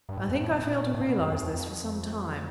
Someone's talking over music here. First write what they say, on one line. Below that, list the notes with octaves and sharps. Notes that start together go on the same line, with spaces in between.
I think I failed to realize this for some time.
G2
G#2
F2
A2
A#2
A#2
A2
A#2
B2
F#2
F2
F2
F2